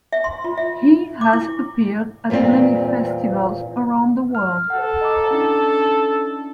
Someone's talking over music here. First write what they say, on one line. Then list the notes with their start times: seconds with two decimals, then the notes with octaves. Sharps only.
He has appeared at many festivals around the world.
0.13 E5
0.24 C6
0.44 F4
0.57 E5
1.21 D6
1.33 E4
2.30 E2 A#2 G3 C4
4.35 F6
4.70 A4 F#5
5.01 D#5 A#5 D6
5.31 C#4 D4 E4